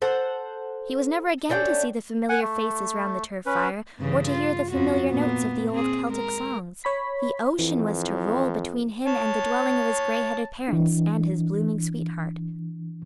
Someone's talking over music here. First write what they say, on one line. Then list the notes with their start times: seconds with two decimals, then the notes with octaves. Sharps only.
He was never again to see the familiar faces round the turf fire, or to hear the familiar notes of the old Celtic songs. The ocean was to roll between him and the dwelling of his greyheaded parents and his blooming sweetheart.
0.02 A4 C5 F#5
1.49 A3 C#4 D4 G5
2.29 F#5 G#5
2.42 A3
3.46 C#4 B4
3.99 G2 C#3 E3
4.29 F4
4.71 F2 F3 F#4
5.08 A#2 A#3 B3
5.71 C4 G#4
6.09 G#3 A#4
6.84 C#5 B5 B6
7.59 F2 E3
9.07 C#5 A5
10.68 E3 D4